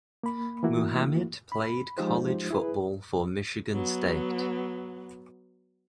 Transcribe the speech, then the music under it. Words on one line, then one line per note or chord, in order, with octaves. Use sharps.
Muhammad played college football for Michigan State.
A#3 B5
E3 A3 A#3 E4 F#4
B5
F3 G#3 D#4 F4 G4 C5
E4 G#4 B4
F#3 B3